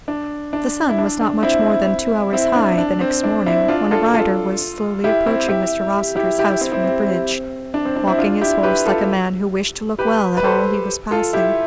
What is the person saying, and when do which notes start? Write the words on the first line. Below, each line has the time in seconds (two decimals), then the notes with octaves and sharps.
The sun was not much more than two hours high the next morning when a rider was slowly approaching Mr. Rossitur's house from the bridge, walking his horse like a man who wished to look well at all he was passing.
0.08 D4
0.53 D4
0.90 E4
0.98 D4
1.21 D4
1.43 C4 E4
2.33 C4 E4
2.56 D4
2.78 D4
3.01 C4
3.24 D4
3.46 C4 E4
3.68 D4 F4
3.91 F4 A4
4.13 F4 A4
5.04 E4 G4
5.26 C4 E4
5.49 E4 G4
6.16 E4 G4
6.39 E4 G4
6.50 E4 G4
6.61 C4 E4
6.72 C4 E4
6.84 C4
7.74 D4
7.85 C4
7.96 D4
8.07 C4 E4
8.19 D4 F4
8.41 E4 G4
8.63 G4 B4
8.86 F4 A4
9.99 G4 B4
10.37 B4
10.44 A4 C5
11.11 F4 A4
11.33 E4 G4